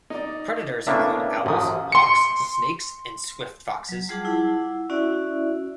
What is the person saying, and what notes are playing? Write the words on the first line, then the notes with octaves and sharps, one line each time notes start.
Predators include owls, hawks, snakes, and swift foxes.
D#4 D5
A2 C#3 A#3 B3 D4 E5
A1 F#2 C3 F3 D#6
C6 C#7
F#3
G3 F4 G#4 F#5 A5 D6
E4 F#5
C#4 E4 F#4 D5 E5